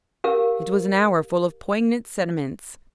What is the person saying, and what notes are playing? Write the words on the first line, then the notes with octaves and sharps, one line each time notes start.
It was an hour full of poignant sentiments.
G4 A#4 F5